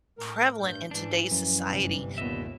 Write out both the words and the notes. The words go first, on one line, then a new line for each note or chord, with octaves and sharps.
prevalent in today's society,
A2 A#4
G2 G6
G#2 E3 D4
F#2 F3
G1 C3
D#2 A#2 B3 D#5 E5